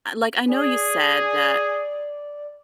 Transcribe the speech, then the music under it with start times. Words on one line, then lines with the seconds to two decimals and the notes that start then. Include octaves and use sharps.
like I know you said that
0.49 G#4 D5